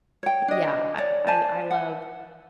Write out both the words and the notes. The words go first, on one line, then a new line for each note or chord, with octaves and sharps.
yeah, I I I love
C#5 G5
D4 D#5
C#5 D5
C5 D5 G#5 A5
F#5